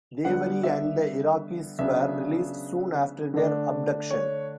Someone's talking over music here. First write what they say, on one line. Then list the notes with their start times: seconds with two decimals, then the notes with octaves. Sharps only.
Dewari and the Iraqis were released soon after their abduction.
0.25 D3 G3 B3 F#5
0.63 E5
1.79 C#3 F#3 B3 D4 E5
3.34 D3 A3 D4
4.11 C#5